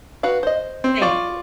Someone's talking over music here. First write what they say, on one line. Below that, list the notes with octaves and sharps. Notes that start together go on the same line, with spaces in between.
Thank you.
F#4 B4 F5
C5 D#5
C4
F4 D5 C#6